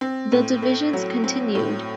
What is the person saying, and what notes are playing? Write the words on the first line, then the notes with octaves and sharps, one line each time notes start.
The divisions continued.
C4
A2
A3
F#3
C4
A2